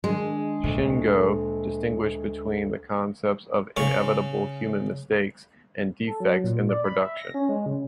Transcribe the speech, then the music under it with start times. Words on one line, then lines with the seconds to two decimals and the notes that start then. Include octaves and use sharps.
Shingo distinguished between the concepts of inevitable human mistakes and defects in the production.
0.04 D#3 G#3 D4
0.64 D2 A#2 A4
3.77 C#3 F5 C#6
6.07 A4
6.20 F#3
6.44 A#2
6.69 D5
6.84 B5
6.99 E5
7.17 A#6
7.34 C#4
7.49 G#3
7.66 C#3